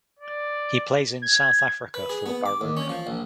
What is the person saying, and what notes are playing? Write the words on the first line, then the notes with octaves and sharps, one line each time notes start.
He plays in South Africa for Baroka.
D5
G#6
B4
G#4
B3
D6
D#2
C#4
F3
A#1